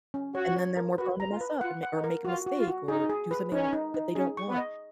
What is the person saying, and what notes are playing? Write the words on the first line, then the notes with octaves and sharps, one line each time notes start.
And then they're more prone to mess up and ma or make a mistake or do something that they don't want.
C#4
F#4 C#5
C#5
A#4
F#4 B4
A#5
F4
B4
F4 F#5
F#5
D#4
A#4
F4 F#4
F#4
F4
F#4
D#4 G#4
G#4
B4
C#4 D#4
D#4
D#4
C#4 G#4
C#6
B3
D#5